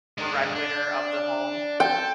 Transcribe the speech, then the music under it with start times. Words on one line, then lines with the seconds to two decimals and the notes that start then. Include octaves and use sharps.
breadwinner of the home,
0.18 G#3 D4
0.55 D4
1.80 A4 G5